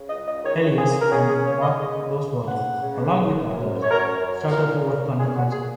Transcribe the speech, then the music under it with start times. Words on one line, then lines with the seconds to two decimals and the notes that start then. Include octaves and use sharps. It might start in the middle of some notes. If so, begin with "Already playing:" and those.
Elias and Mark Rosewater along with others started to work on the concept.
Already playing: C#3
0.09 C#2 D#5
0.27 D#5
0.43 D#3 C#5
0.77 A#3 G#4
1.01 A#4
1.12 C#4 G#4
1.28 G#4
1.45 A#3 C#5
1.62 D#5
1.79 C#3 D#5
2.13 G#3
2.47 C#3 F#5
2.81 C#3
3.15 F#2
3.49 F#2
3.82 F#2 C#5
3.91 A#4
3.99 C#5
4.17 F#2
4.50 A#2 A#4
4.85 C#4
5.18 A#2 G#4
5.36 F#4
5.52 A#2 G#4